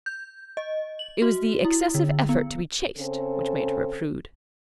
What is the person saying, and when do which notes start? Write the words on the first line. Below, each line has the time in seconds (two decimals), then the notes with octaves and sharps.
It was the excessive effort to be chaste which made her a prude.
0.06 G6
0.57 D#5
0.99 F#7
1.22 F#4
1.64 E4
1.94 D3
2.29 B3
2.98 C#3 C4 A4